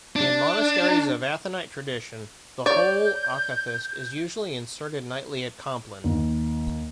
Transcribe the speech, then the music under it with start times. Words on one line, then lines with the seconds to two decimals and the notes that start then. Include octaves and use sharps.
In monasteries of Athonite tradition, the whole Akathist is usually inserted nightly at Compline.
0.16 D4
2.66 C#5 D5 G6
6.04 D#2